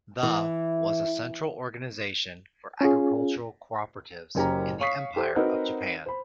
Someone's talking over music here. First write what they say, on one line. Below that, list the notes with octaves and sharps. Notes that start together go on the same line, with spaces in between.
The was a central organization for agricultural cooperatives in the Empire of Japan.
E3
C#4 F4 G#4
F#1 F#2 C#4 G4 C5 A#5
C#5 F5 C#6 D#6 B6 C7
G4 A4 C5
C4 D#4 F#4 A#4 B4
C5 B5